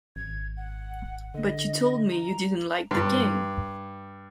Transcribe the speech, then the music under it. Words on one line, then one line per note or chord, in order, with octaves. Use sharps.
But you told me you didn't like the game.
G#1 G#6
F#5
D3 D#5
A#5
G2